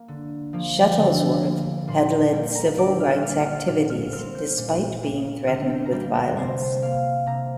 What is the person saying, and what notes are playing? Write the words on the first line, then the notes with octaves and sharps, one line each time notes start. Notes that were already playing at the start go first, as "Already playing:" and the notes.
Shuttlesworth had led civil rights activities despite being threatened with violence.
Already playing: A#3
D3
F3 A#3
D3
A#3
A#2 C6
A#5
G3 A#3 G5
A#5
D3 D6
F6
G3 A#3 F6
F6
A#2 F6
F6
G3 C4 F6
G6
A#2
A#3
D3 F6
G5
A#5
G3 A#3 G5
G5
A#4
C3 C5
A#3 F5
C3 A#5